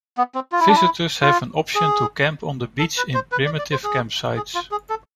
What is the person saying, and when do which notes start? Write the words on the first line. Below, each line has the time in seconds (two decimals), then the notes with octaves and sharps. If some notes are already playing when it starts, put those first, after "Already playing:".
Visitors have an option to camp on the beach in primitive campsites.
0.18 B3
0.35 C4
0.52 F4
0.60 E4
0.68 D4
0.76 E4
1.22 F4
1.75 G#4
2.79 A4
2.97 B4
3.14 C5
3.32 B4
3.45 D5
3.59 D5
3.72 C5
3.84 G#4
4.36 G#4
4.55 F4
4.71 G#4
4.90 A4